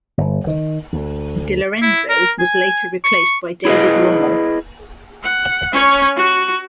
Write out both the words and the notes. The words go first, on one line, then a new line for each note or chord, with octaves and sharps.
Delorenzo was later replaced by David Rommel.
G1
D#3
D2
E4
A#4
G#5
C#6
E4 G#4 B4 D#5
F#5
C#4 C#5
F#4